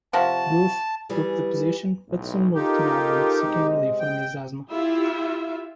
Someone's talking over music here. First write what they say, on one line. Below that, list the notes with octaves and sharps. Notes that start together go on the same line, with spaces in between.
Goethe took the position but soon moved to Melbourne seeking relief from his asthma.
C3 F3 F#4 A5
E3 G3 G#4
B1 A2
D#4 F4 G4 A4 A#4
C3 G#3 D#5
G5
E4 F4 G4 E5